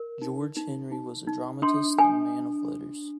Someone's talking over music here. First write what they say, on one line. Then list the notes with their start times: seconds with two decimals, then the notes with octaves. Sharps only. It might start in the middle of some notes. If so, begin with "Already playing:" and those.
George Henry was a dramatist and man of letters.
Already playing: A#4
0.22 D#4
0.57 D#4
0.92 D#4
1.27 D#4
1.62 D4 C6
1.98 D4 G#5